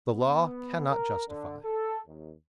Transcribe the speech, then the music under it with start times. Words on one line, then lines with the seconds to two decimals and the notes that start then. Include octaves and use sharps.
The Law cannot justify.
0.12 B3
0.90 A#4
1.28 D3
1.64 A4
2.07 D#2